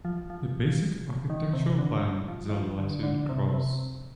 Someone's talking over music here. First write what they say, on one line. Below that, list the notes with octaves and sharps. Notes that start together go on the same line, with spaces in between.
The basic architectural plan is a Latin cross.
F3
F3
D#3
C3
D3
F3
D#3
F3
D3
D3
C3
C3